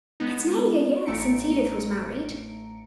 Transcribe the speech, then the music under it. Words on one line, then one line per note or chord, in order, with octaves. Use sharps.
It's nearly a year since Edith was married!'
G#3 B3 D#4
A1 A3 A#5 C#7 D7